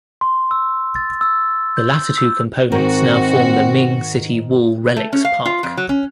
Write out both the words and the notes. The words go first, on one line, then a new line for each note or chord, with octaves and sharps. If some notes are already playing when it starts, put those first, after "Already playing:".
The latter two components now form the Ming City Wall Relics Park.
C6
E6
A6
E6
G6
E6
G#2 D#3 C4 F#4 A#4
A3
C#4
F5
F4
F2
F#3
C#4